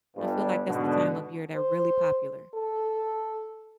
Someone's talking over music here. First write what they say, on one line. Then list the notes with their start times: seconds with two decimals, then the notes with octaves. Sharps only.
I feel like that's the time of year they're really popular.
0.16 G1 G2
0.67 G#2 B2 D3
1.55 C5
2.54 A4